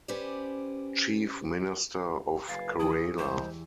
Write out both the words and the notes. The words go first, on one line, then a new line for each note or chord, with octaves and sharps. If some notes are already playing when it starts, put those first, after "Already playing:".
Chief Minister of Kerala.
C#4 G4 B4 C5 D5
F#1 B4 F5 G#5 A6
E2 E4 D#6
G#3 G4 C5